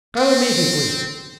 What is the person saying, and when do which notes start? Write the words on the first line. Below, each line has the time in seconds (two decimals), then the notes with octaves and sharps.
Go immediately.
0.16 C4